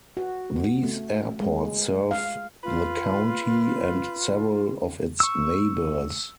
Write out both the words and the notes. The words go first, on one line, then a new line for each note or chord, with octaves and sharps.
These airports serve the county and several of its neighbours.
F#4
A3
G#3
F5
F4 B4
C#6 E6